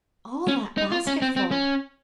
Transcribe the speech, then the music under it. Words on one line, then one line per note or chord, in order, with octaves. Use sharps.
"All that basketful!"
C#4
D#4
F4
C#4
C4
C4
C#4